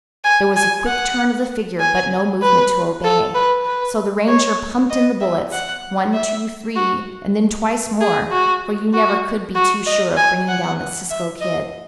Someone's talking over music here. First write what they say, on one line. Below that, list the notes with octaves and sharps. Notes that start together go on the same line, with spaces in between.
There was a quick turn of the figure, but no movement to obey, so the ranger pumped in the bullets--one--two--three--and then twice more; for you never could be too sure of bringing down the Cisco Kid.
G#5
G#5
F#5
G#5
B4
A4
B4
B4
C#5
D#5
E5
F#5
E5
F#4
G#4
F#4
F#4
F#4
D#5
G#5
F#5
E5
D#5